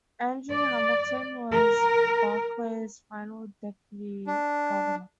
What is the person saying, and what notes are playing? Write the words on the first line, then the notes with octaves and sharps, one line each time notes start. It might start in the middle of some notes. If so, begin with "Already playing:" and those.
Andrew Hamilton was Barclay's final deputy governor.
D5
A#4
D4